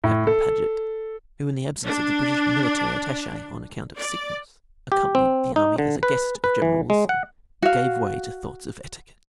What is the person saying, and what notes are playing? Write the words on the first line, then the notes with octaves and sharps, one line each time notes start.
Captain Paget, who in the absence of the British military attache on account of sickness, accompanied the army as a guest of General Wilson, gave way to thoughts of etiquette.
A2
A4
D4
D5
G4
C4
D#4
D3
B4
B4
E3
G#3
F#5
F#4 F5